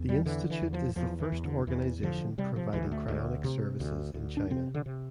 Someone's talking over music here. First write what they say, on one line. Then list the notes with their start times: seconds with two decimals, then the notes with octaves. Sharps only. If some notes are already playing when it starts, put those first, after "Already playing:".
The institute is the first organization providing cryonics services in China.
Already playing: E2
0.09 G3
0.26 D3 E3
0.50 E3
0.62 E2
0.73 F3
0.96 E2 F3
1.20 E3
1.32 E2
1.44 D3
1.67 E2 E3
2.03 D3 F3
2.38 C3 G3
2.56 F3
2.73 D2 E3
2.92 A3
3.08 D2
3.44 C3
3.80 D2
4.14 D2
4.37 D4
4.50 C3 C4
4.74 D3
4.86 C3